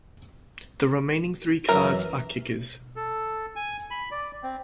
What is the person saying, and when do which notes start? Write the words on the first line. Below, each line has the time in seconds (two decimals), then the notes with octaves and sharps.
The remaining three cards are kickers.
1.69 F#2 E3 A#4
2.96 A4
3.56 G#5
3.91 B5
4.11 D5
4.43 C4